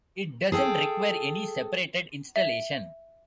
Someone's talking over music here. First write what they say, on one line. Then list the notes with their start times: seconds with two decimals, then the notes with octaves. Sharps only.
It doesn't require any separated installation.
0.52 G#4 A4 G5
2.36 E5